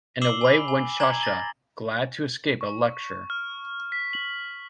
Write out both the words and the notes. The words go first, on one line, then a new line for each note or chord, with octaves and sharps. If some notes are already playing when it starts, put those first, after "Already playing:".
And away went Sasha, glad to escape a lecture.
D6 E6 C7 E7 F#7 G7
G#5 B5
G#5
G#5 A#5 G#6 E7 F#7 G7
A6 A#6
C#6
F6
B6
F#7